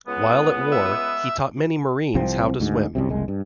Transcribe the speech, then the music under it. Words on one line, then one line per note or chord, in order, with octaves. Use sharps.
While at war, he taught many Marines how to swim.
C#2 G#3 B3
E5
C2 F3 C4
D2 G#2
C2 F#2 C3
F#1 C2 G#3
G2